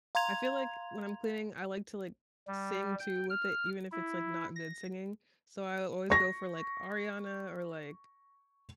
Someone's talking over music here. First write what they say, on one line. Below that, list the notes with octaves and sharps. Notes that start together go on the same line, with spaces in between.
I feel, like, when I'm cleaning, I like to, like, sing too with it, even if it's, like, not good singing. So, I always go for, like, Ariana or, like
F5 A#5 C6 G#6 F7
G3
G5
F6
E4
A#6
C#6 A#6